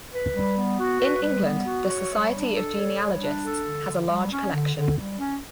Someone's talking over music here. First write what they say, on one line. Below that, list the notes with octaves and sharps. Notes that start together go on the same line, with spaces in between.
In England, the Society of Genealogists has a large collection.
B4
G3
B3
F#4
B4
G3
B3
F#4
C#5
G3
D4
A4
C#5
G3
D4
A4
D3
D3
G3
C#4
D3
D3
G3
C#4